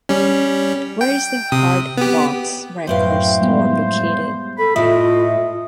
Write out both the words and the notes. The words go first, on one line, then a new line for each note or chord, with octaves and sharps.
Where is the "Hardwax" record store located?
G3 C#4
G5
C3 D#6
B3 G4
F#2 A2 B4 C5 E5 F5 G5
G3 G#3 B3
A4 B5
A2 A3 F4 D#5 E5